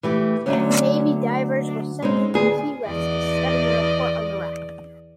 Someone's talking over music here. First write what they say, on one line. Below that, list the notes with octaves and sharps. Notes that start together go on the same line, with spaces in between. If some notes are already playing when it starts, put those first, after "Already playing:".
Navy divers were sent from Key West to study and report on the wreck.
E3 A3 G4
D2 D3 F#3 A3 C#4
G#3 C4 C#4 D#4
D2 B3 G#4
E2 D5 D#5